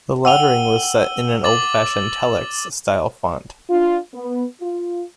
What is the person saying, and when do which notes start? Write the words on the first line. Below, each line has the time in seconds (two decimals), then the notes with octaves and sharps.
The lettering was set in an old fashioned telex-style font.
0.25 F#5 G5 E6 D#7 F7 G7
1.44 D6 A6 F#7
3.69 D4 F4
4.14 B3
4.61 F4